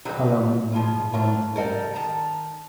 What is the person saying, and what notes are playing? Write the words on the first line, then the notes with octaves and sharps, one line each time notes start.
Colomb moved on to tactics.
F#3 G3 A3 D#4 B4
F3 G#3 B3 F4
D3 F4 A#4 B4
C#3 G3 A4 A#4
D#3 A5 A#5